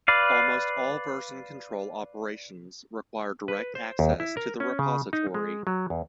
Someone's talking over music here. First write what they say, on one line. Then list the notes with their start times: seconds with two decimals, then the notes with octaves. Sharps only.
Almost all version control operations require direct access to the "repository".
0.08 B4 D5 F5
3.48 B4
3.75 C5
3.99 D#2
4.20 E4
4.37 A#4
4.60 C#4
4.79 C#3
5.13 D#4
5.34 G#3
5.67 F#3
5.90 E2